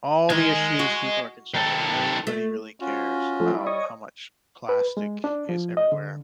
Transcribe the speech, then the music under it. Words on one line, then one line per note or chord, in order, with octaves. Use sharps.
all the issues people are concerned with, nobody really cares about how much plastic is everywhere,
D#3 D#5 G#5
F#4
D#3 A4
A3
C#4 F4 F#4
F3 A3
G3 E4
C#5 D#5
B4
G#3
D4
F3
D#5
D3